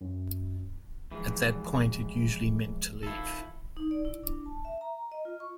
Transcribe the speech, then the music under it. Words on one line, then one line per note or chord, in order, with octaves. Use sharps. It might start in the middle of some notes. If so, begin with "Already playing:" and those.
At that point, it usually meant to leave.
F#2
E3 F3 G#3
D#3 E4 F4 A4
D#4
D5
E4
D4
A5
E5
A#5
D#5
F4
C#6